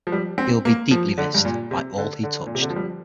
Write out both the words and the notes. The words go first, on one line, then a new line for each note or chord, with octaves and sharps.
He will be deeply missed by all he touched.
F3
G3
C4
A#3
F3
D3
G2
A#2
C3
D3
D3
A#2
C3
D3
F3
G3